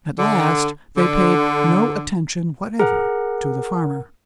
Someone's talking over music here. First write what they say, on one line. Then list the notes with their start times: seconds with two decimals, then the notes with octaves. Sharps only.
At last they paid no attention whatever to the Farmer.
0.19 D3
0.98 D3
2.79 G#4 A#4 F#5